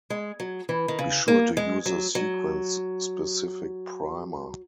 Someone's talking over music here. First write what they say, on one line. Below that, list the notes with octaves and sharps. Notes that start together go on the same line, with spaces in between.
Be sure to use a sequence-specific primer.
G#3
F#3
E3
D#3
C#3
A#3
G#3
F#3
F#3